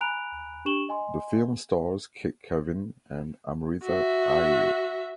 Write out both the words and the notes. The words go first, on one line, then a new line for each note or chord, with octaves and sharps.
The film stars Kavin and Amritha Aiyer.
G#5 A#5 B5 F#6 D7 F7
D4 G4 C#6 E7 F#7 G7
D#5 G#5 C6
F#4 E5